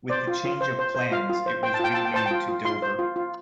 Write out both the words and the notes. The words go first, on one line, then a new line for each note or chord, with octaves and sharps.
With the change of plans, it was renamed to Dover.
C5 D5
F4
F4
C5
C5
C5
F4 F5
F4
C5
C5 G5
A5
F4 G5
F4 A5
G5
C5 A5
F4 G5
F4
F4 C6
C5
F4
F4